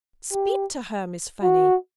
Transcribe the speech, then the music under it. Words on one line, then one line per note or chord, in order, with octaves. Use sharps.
Speak to her, Miss Fanny!'
G4
F#4